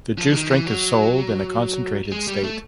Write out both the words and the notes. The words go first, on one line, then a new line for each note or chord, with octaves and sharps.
The juice drink is sold in a concentrated state.
F3
D#3
E3
F#3
G#3
G3
A3